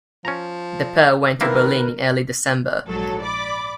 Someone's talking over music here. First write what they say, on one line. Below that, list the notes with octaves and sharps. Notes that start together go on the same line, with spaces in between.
The pair went to Berlin in early December.
F3 C#4 A#5
D#3 A#3 C4 E4 A#4 B4
A#1 G#2 D3 F#3 A4
D5 B5 D6